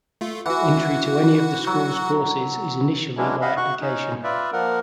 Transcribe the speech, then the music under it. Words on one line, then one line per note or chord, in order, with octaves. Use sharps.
Entry to any of the school's courses is initially by application.
A3 F4
E3 F#4 F#5
F#3
E3 F#3 G#3 C#4 D4 E4
D#5 F5 F#5 B5
F#4 F#5 C#6 F#6
C#4 D#4
F4 B4 D5 E5
F3 A#3 A#4 F#5